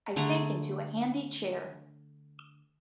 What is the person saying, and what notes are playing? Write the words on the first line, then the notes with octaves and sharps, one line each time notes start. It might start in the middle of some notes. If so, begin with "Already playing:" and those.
I sank into a handy chair.
D3 A3 G#4 A#5